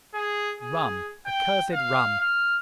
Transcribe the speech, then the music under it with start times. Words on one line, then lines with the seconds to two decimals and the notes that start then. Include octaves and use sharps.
RUM, accursed RUM!
0.14 G#4
0.60 G#4
1.26 G5
1.73 F5
2.20 F6